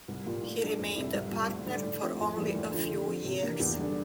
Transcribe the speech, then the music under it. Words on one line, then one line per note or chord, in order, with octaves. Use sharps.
He remained a partner for only a few years.
C2
A#2 G3 A#3 F4
A2
G3 D4 A4
F2
C3 G3 C4 E4
C2
A#2 G3
D2
D3 G3 D4
A2
F3 C4 E4 G4
F2
E3 G3 A#3 E4
D2
D3 F3
D3
F3 C4
C3
E3 A#3 D4
E2
D3 G3 D4